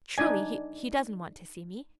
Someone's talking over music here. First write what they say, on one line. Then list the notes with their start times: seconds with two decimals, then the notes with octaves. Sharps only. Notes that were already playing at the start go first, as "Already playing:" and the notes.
Truly, he--he doesn't want to see me.
0.18 D4 D#4 D5 G#5